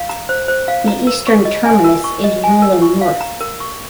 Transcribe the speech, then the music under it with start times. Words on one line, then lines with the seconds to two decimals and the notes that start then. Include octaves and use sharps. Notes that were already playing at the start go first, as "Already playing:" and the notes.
The eastern terminus is Yulin North.
Already playing: F5
0.09 A#5
0.29 C5
0.48 C5
0.68 F5
0.88 A#5
1.07 A#4
1.27 C#6
1.45 D#5
1.66 G#5
1.84 A#4
2.04 C#6
2.24 D#5
2.44 G#5
2.62 A#4
2.82 C#6
3.01 F5
3.21 A#5
3.41 A#4
3.60 C#6